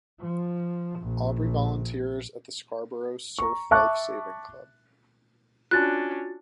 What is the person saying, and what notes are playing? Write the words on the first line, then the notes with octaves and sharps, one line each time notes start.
Aubrey volunteers at the Scarboro Surf Life Saving Club.
F3
A#1
A#5 C#6
E5 A5 C#6 D6 F#6
C#4 D4 F4 F#4 F#6 A6